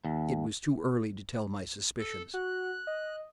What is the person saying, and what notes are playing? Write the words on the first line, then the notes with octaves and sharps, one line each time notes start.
It was too early to tell my suspicions.
D#2
A4
F#4 F#6
D#5